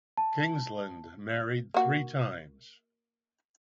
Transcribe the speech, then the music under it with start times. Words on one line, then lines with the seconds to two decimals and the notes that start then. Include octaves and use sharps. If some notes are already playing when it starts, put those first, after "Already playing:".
Kingsland married three times.
0.17 A5
1.74 A#3 F#4